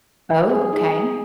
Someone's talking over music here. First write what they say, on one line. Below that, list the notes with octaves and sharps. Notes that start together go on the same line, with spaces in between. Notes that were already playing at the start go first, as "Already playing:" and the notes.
Oh, okay.
G#4
D#4 G#4